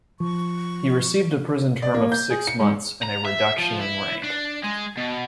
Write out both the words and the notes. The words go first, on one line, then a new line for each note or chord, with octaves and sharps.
He received a prison term of six months and a reduction in rank.
F3 C#6
D5
A#3
G6
G#4
C#7
G#2
A#5
E5
F3
E4
D4
G#3
B2